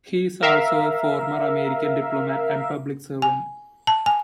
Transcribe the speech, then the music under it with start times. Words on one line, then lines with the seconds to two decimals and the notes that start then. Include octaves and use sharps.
He is also a former American diplomat and public servant.
0.43 A#4 E5 F5
3.22 G#5
3.87 A5
4.06 G#5